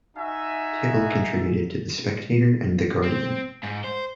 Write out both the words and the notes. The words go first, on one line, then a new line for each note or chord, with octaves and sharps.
Tickell contributed to "The Spectator" and "The Guardian".
D#4 F#4 E5 G#5
C4
G#2
C5